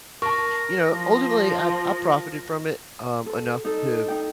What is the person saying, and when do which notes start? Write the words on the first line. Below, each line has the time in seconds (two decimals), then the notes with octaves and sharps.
you know, ultimately, I I profited from it, um, enough to
0.22 A#4 A5 C#6 A#6
0.91 F3
3.26 A4
3.65 D#4 A4
4.08 D#4 G5